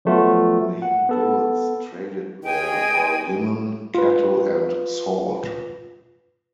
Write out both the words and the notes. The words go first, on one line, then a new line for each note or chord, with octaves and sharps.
Main goods traded there were linen, cattle and salt.
F3 F#3 A3 B3 F4 F#4
F#5
B3 A4
G#4 D#5 G5 G#5
F4 B4